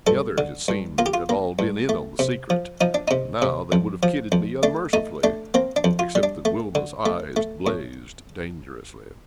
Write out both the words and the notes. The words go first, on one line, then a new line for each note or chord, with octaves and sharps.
The others, it seemed, had all been in on the secret, and now they would have kidded me unmercifully, except that Wilma's eyes blazed dangerously.
G2 A4
D3
G2
A#3 F4
G4
F4
A#3
G2
A3
C3
F3
F3 D#4
D4
C3 D#4
C3
F2
F3
F2
A3 D4
A3 D#4
A3 D4
A#3 C4
D4
F2
F4
G3
D4
A3
D3
A3
A3
A2